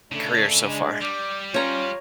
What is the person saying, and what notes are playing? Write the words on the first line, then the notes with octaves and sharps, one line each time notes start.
career so far?
C#3 A3 D4
G#3
G3 D5
C#4 F4 C#5 A#5